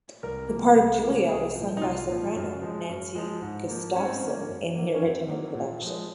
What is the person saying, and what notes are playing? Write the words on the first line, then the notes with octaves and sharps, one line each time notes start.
The part of Julia was sung by soprano Nancy Gustafson in the original production.
C2 A#4
C3 F3 A#3
C2
C3 F3 A#3
C2 G#4
A#2 F3
D#4
C2 F4
A#2 F3
F#2
F3 G#3
F#2
F3 G#3
G#2
F3 A#3
G#2 C#4
C4
C#4
F3 A#3
F#2
D#3 F#3 A#3
C#4
F#2 C4
D#3 F#3 A#3
A#2
F3 G#3